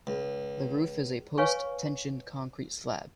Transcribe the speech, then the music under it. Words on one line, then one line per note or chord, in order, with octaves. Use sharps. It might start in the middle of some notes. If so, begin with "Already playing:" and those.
The roof is a post-tensioned concrete slab.
C#2
B4 C#5 F5 G#5 C#6